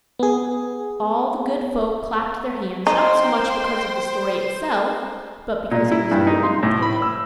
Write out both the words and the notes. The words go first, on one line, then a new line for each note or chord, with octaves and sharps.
All the good folk clapped their hands, not so much because of the story itself, but because it was a woman who told it.
B3 G#4
D#4 C5 G5 C6
A#2
E4
G2
D#4
C6
A2
B5
E6